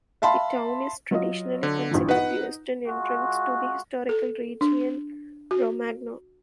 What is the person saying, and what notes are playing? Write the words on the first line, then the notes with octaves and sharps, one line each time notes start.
The town is traditionally considered the western entrance to the historical region Romagna.
E5 F5 A5 B5 C6
F#3 F4 D#5
D3
A#1 G2 E3
D#4 B4 F#5
G#3 F4 F#4
A4
D4
F#4